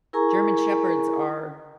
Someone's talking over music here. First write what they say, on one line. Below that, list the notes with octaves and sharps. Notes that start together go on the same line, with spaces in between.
German Shepherds are,
E4 G#4 A#4 G#5 A#5 C#6